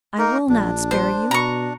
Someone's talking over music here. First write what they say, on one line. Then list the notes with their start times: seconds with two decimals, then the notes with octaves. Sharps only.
I will not spare you.
0.18 A#3 D#4 A#4
0.49 A#1 D4
0.91 C5
1.31 B2 A#5 C#6